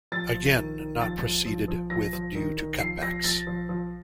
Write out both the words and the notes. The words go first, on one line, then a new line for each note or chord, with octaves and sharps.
Again not proceeded with due to cutbacks.
F3 A6
F3
D#3
D#3
F3 A6
F3
F3
F3
F3 A#6
F3
D#3
D#3
F3 C7
F3 A#6
F3 A6
F3
F3